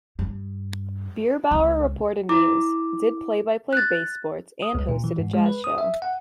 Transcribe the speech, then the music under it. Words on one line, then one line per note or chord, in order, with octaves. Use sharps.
Bierbauer reported news, did play-by-play base sports and hosted a jazz show.
G2
C#2
E4 D6
F#6 A6
D#6
C#2
A#2
E3
G#2
G#3
B4
D#6
E5
F#5